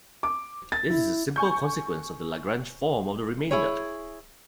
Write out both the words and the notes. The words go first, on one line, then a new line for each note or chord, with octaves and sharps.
This is a simple consequence of the Lagrange form of the remainder.
D6
A6
E4
G#5 C#6 G6
E4 G#4 C#5